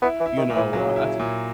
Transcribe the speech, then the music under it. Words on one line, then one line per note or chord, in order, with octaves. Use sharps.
you know, I I took
B3 E4
E3
E4
D#3
A#2
E3
C#3 F#3
E4
A#2